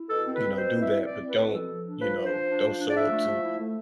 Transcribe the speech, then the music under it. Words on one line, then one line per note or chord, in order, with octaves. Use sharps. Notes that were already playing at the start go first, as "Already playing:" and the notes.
You know, do that, but don't, you know, don't show up to
Already playing: E4
B2 A4
C4
B4
C4
B2 C5
E4
E5
C4
E4 D5
C4
B4
B2
F3 A4
F3
D4
F3 B4
D4
C5
F3
D4
F3
D4
D5
F3 E5
A3
F3
E4
A3